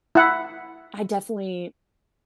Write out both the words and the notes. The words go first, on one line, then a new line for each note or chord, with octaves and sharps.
I definitely,
E4 F#5